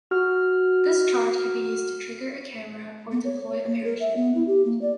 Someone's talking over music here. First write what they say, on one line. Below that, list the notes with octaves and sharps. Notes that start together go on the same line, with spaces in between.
This charge can be used to trigger a camera, or deploy a parachute.
F#4 F6
B3
C#5
C#5
A#3
A#4
E5
B3
E4
G4
A#3
D5